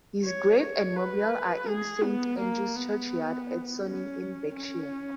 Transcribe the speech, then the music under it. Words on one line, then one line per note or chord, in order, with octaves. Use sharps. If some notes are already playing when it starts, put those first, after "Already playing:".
His grave and memorial are in Saint Andrew's churchyard at Sonning in Berkshire.
C#5
C#5
B4
G#4
B3
A#3
B3
C#4
C#4